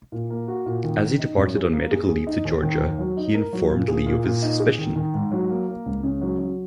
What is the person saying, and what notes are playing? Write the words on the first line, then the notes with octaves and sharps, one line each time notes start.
As he departed on medical leave to Georgia, he informed Lee of his suspicion.
A#2
A#3
F#4
A#2
D#3
D#3
D#4
F#2
G#4
A#3
G#4
G#4
D#4
D#2
D#3
D#2
F#3
D#4
A#4
F#3
A#2
G#4
A#2
A#2
D#4
G#4
D#3
D#3
G#2
F#3
A#3
A#3
C#2
C#3
F#3
F#3